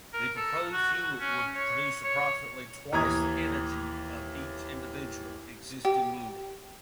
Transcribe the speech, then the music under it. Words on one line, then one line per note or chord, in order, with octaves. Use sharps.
The proposed unit would produce approximately twice the energy of each individual existing unit.
A#4
A4
F#4
F#4
C#4
C#5
C#5
D#2 E3 A#5 D#6 G#6
G4